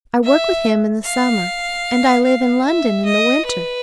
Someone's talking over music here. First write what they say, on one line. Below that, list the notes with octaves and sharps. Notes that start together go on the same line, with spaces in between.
I work with him in the summer, and I live in London in the winter.
E5
F5
F5
E5
D#5
B4